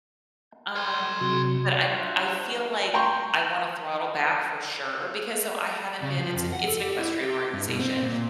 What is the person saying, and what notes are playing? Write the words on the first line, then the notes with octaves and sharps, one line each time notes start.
um, but I'm I feel like I wanna throttle back for sure because so, I haven't been it's an it's an equestrian organization.
C#5 C6
C3 F#3
D4 F4 F#4 C5 E5 F#5
E3 G3 G#3
G5 A#5 C6 C#6
C#3
F3
F2
F#5
A4
G4
E4
G4
G2
B2
C4
A#2